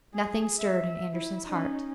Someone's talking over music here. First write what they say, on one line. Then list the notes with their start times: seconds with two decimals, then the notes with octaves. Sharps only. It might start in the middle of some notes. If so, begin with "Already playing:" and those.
Nothing stirred in Andersen's heart.
0.14 G#4
0.59 E5
1.14 E4
1.47 C#4 D#4